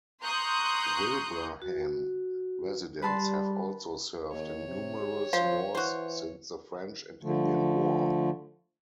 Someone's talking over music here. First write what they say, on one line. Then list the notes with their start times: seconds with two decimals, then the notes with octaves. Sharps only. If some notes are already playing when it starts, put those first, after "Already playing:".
Wilbraham residents have also served in numerous wars since the French and Indian War.
0.23 A#5 C6 C#6 D#6 F#6 G6
1.62 F#4
3.02 G3 B4 A5 C6
4.32 D#2 C#5
4.67 C3
4.99 G4
5.33 F3 C5 F5
5.75 E3 F#4 C5
7.23 D3 F3 A3